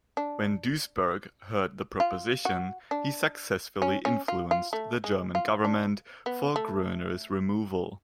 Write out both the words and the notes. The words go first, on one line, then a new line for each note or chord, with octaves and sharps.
When Duisberg heard the proposition, he successfully influenced the German government for Groener's removal.
D4
F4
F#4
D4
C#4
C#4
F4
F4
A3
G#3
F4
D4
B3
A3